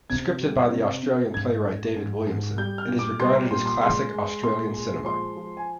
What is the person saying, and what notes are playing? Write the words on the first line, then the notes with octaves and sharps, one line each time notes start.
Scripted by the Australian playwright David Williamson, it is regarded as classic Australian cinema.
C3 G#6
G3
C3
C3
G#2 G#6
G#2
G#2
G#2
G3 G6
F6
A#2
D6
G3 C6
A#5
A#2 C6
C6
G#3 C6
G#3
A#2 C6
G#3
F3 C6
F3
G#5